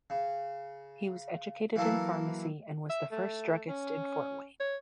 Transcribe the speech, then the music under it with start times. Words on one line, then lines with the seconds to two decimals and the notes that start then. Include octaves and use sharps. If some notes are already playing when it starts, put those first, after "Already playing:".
He was educated in pharmacy and was the first druggist in Fort Wayne.
0.10 C#3
1.76 E3 F#3 A#3 E4 A4 A#4
2.90 E5
3.11 A3
3.68 C#4
4.60 C#5